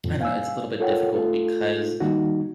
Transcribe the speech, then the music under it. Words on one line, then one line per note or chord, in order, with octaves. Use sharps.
I don't know, it's a little bit difficult because
F2 A#2 E3 F3
F5 G#5 E6
F4 A4 A#4 C#5 F#5 G5
A3 F4 A4
D#3 G3 A#3 D#4 F#4